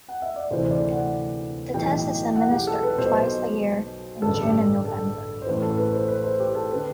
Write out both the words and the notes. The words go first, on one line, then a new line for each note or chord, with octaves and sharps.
The test is administered twice a year in June and November.
F#5
E5
D5
D2 C3 E3 C5
D5
F#5
B1 A2 E3 G5
F#5
G4
A4
B4
B1 B2 C5
A1 G2 D3 A4
G4
A4
C5
A1 A2 E3 B4
A4
B4
C5
B4
C5
G4
A4
D3 B4